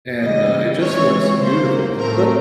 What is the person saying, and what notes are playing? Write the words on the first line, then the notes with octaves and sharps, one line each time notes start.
and, uh, it just looks beautiful, but
C#3 E3 G3 D#5
E3 G#3 C4 C#5
C#3 F#3 A#3 C5
A2 F3 A3 C4 A#4